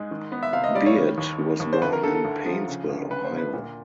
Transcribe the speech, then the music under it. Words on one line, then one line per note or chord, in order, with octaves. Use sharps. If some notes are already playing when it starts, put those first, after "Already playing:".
Beard was born in Painesville, Ohio.
Already playing: G#2 G#3
D#3
B3
E5
C3 F5
D#5
G3 D5
C#5
D#3
D#2
D#3
D#2
C5
D2 B4
A#4
D3 A4
A4
D2
F3
C#3
D2
C#3 B4
C5
D2
B4
A#2